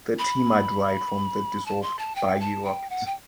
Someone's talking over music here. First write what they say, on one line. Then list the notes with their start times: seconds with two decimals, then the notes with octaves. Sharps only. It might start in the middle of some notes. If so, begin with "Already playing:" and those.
The team are derived from the dissolved Bayi Rockets.
0.19 B5
1.66 A5
1.82 C6
1.99 A5
2.16 G5
2.41 A5
2.65 G5
2.90 F#5
3.06 G5